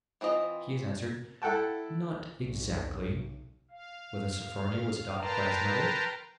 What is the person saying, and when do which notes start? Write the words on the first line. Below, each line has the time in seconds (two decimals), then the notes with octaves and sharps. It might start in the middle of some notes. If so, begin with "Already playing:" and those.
He has answered, 'Not exactly.' Whether Sophronia was adopted by his mother?
0.21 E3 C4 F4 D#5
1.42 E4 A4 F#5 G5 A5
2.40 B1
3.71 F5
5.18 A#4 B4 G5 A5 A#5 C6